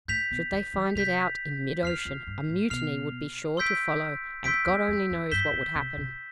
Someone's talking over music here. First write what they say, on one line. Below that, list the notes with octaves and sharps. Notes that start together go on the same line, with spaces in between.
Should they find it out in mid-ocean, a mutiny would be sure to follow, and God only knows what would happen.
A2 G6 B6 F7
B2
D3
E3
C3 G6 B6 F7
E2 F6 C7 F7
F2
G2
A2
B2 F6 C7 F7
C6 E6 G6 B6 D7
F2 C6 E6 G6 B6 D7
E2
F2
F2
G2 G6 B6 E7 G7
B2
C3
C3